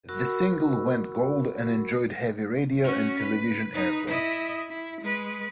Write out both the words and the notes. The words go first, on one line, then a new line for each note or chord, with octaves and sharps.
The single went Gold and enjoyed heavy radio and television airplay.
F#4 A#4 F#5 B5 C#6 E6
C#4 F#4
B4
D#4 B4
E4 D#5
E4
G#3 B4